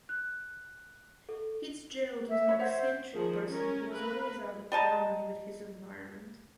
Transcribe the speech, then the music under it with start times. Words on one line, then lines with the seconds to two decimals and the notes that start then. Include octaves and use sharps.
Fitzgerald was an eccentric person who was always out of harmony with his environment.
0.09 F#6
1.29 A4
2.29 E5
2.47 F#4 B4 C#5
2.59 C5 C#5 E5 F#5
3.13 D#3 F3 G#4
3.47 C#4 A#4
3.92 A#4 B4 F5
4.72 G3 D#5 A5 A#5